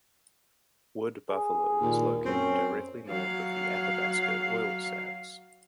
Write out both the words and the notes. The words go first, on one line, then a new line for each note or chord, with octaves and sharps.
Wood Buffalo is located directly north of the Athabasca Oil Sands.
G#4
D#2 A#2
F#2 C4 C#4
F#3 F5